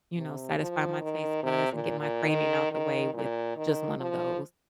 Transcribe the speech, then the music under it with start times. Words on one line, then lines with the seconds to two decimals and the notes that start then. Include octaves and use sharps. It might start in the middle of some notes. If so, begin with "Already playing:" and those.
you know, satisfy my taste buds and get my craving out the way with just one of those.
0.16 C3
0.59 F3
1.00 D#3
1.43 C3
1.72 A#2
2.00 A#2
2.28 D#3
2.71 D#3
3.13 A#2
3.56 D#3
4.00 F3